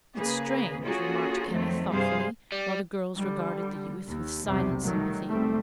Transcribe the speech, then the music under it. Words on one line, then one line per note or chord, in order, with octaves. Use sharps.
"It's strange," remarked Kenneth, thoughtfully, while the girls regarded the youth with silent sympathy.
C#3 A#3 G#4 B4
A#3 C#4 F4 F#4 G#4 A4
F2 D#3 F#3 A3 C4
G2 C3 G3 G#4 C5 F5
G3
D3 G3
D#2
B1 E2 C3 G3
D#3 F#3 G3 A3
F#1 G3 A3 C4